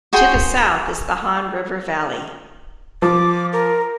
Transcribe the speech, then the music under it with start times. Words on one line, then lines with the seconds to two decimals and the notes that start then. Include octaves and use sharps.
To the south is the Han River valley.
0.13 F#4 G#4 G5 C6
3.02 F3 D6
3.53 A#4